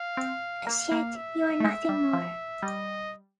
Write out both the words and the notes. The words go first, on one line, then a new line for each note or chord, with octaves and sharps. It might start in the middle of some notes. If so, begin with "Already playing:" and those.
As yet, you are nothing more.
Already playing: F5
C4
A#3 F5
A#3
E5
A3
G#3
G3
F3
G3 D#5